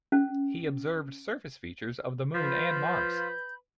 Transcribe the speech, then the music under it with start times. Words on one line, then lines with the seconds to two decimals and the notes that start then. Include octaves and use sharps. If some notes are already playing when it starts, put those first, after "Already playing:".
He observed surface features of the Moon and Mars.
0.12 C#4
2.34 F3 F4 B4 B5 G6